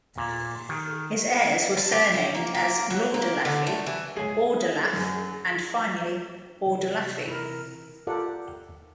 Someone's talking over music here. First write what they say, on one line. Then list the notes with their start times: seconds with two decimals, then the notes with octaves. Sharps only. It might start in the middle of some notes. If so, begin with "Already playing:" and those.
His heirs were surnamed as "Lordelaffi", "Ordelaf" and finally "Ordelaffi".
0.18 A#2
0.69 D#3
1.77 A5
1.92 G4
2.14 C#4
2.34 A#3
2.54 A#3
2.90 F#3
3.14 A#3
3.45 D3
3.67 A3
3.86 E3
4.17 G#2 C#3 G#3 G#4
4.93 F#2
6.65 C3 E3
7.27 E4 A#4
8.07 F4 G4 A4 A#4 D5 F#5